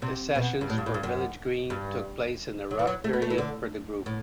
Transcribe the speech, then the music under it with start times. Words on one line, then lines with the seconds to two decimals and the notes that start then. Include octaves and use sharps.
The sessions for "Village Green" took place in a rough period for the group.
0.02 C3
0.35 B2
0.61 G2
0.70 A2
0.78 G2
0.86 A2
0.94 G2
1.03 F#2
1.70 G2
2.71 F#3
2.79 E3
2.87 F#3
3.04 A3
3.13 B3
3.22 A3
3.30 E3
3.38 D3
4.06 A2